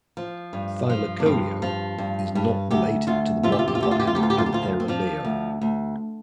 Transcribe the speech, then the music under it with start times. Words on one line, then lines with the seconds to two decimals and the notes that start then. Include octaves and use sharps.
"Thylacoleo" is not related to the modern lion "Panthera leo".
0.17 F3
0.53 G2
0.90 F3
1.20 D4
1.25 G2 C4
1.62 F3
1.98 G2
2.35 G2
2.71 D2 G4
3.07 D2 F4
3.43 C3 F4
3.52 G4
3.59 F4
3.68 G4
3.75 F4
3.80 D2 G4
3.91 F4
4.00 G4
4.07 F4
4.15 D2 G4
4.23 F4
4.30 G4
4.38 F4
4.46 G4
4.53 F3 F4
4.80 C4
4.88 F3 D4
5.24 D2
5.61 D2